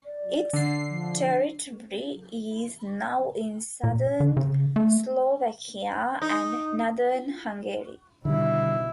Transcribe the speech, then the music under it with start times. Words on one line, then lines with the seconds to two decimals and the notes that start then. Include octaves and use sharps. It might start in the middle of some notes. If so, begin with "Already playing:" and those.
Its territory is now in southern Slovakia and northern Hungary.
0.05 D5
0.53 D3 C7
0.89 F3
3.84 A#2
4.20 D3
4.37 C#3
4.76 A3
6.22 D#4
8.25 B2 D3 D#3 G3 E4